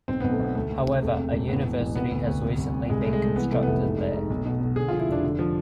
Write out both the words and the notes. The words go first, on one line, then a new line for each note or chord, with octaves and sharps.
However, a university has recently been constructed there.
B1 C4
B1 B3
A3
B1 B3
D2 A3
D2
C3
E1 A3
C3
E1
A2 B3
E3
A1
C3 B3
D2
D2
C3
C2
C3
C2 G#3
C2 A3
G#3
C2 A3
E3 B3
C3 A3
B3
F1 A3
G#2
G#2
G#2
B1
B2
B2
D3 G#4
F3 F4
E4
F1 D4
D3
F3